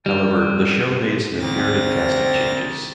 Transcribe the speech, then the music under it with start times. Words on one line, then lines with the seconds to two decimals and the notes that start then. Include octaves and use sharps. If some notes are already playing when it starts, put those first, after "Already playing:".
However, the show made some imperative casting changes.
0.06 G3
1.40 D2 C4 A6 A#6